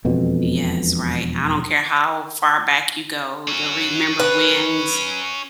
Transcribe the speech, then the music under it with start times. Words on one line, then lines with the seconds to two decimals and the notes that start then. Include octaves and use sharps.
Yes. Right. I don't care how far back you go to remember wins,
0.05 E1 F2 B2
3.48 C#4 F#4
4.20 B4